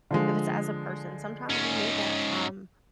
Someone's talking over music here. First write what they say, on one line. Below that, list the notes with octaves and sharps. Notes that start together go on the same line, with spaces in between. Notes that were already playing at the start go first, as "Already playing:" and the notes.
If it's as a person, sometimes you need that time
D3 F3 G#3
G#2 C#4